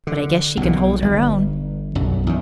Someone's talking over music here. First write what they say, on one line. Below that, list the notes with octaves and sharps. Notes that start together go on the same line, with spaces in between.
But I guess she can hold her own.
D3
B1 A#2
G1
B1 F#2
E2 D#3